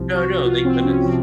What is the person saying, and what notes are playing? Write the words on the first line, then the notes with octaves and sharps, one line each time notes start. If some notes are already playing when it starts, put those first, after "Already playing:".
No, no, thank goodness.
Already playing: C2 C3 F3
F#4
F4
C4
C#4
C3 F3 C4